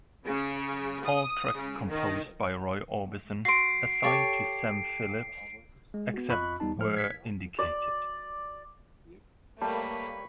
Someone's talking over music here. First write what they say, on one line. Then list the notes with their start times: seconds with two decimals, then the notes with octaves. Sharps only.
All tracks composed by Roy Orbison, assigned to Sam Phillips, except where indicated.
0.25 C#3
1.05 D#6
1.55 C#3
1.88 D#3
3.45 F#4 C6 C7 D7
4.04 G4 A4 C#5
5.94 G#3
6.14 B3 F#4
6.29 F2 F4 D#5 B5 C#6 F#6
6.60 E2 G3 B3 D#4 A5
6.76 A2 F3 G#3 C5 F6
6.97 G#6 B6
7.59 D5
9.62 G3 A3 A#3 B4 C#5 A5 B5